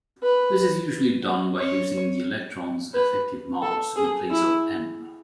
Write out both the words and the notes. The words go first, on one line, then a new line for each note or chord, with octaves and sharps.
This is usually done by using the electrons' effective mass in place of "m".
B4
C#5
B4
A4
G#4
E4